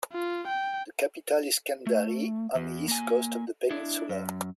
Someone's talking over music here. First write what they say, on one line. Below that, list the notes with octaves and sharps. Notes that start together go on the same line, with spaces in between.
The capital is Kendari, on the east coast of the peninsula.
F4
G5
A3
E2
A#3 G#5
D4 E4
F#2